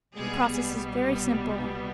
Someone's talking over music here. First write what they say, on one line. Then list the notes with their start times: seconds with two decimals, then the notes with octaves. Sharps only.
The process is very simple.
0.15 C2 B2 G3 G#3 B3 G#4